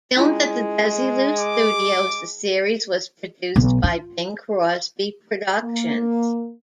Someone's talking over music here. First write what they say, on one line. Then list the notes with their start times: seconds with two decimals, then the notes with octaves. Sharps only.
Filmed at the Desilu Studios, the series was produced by Bing Crosby Productions.
0.17 G#3 C#4 E4 F4
1.39 D6
3.56 B1
3.83 F4
5.63 A#3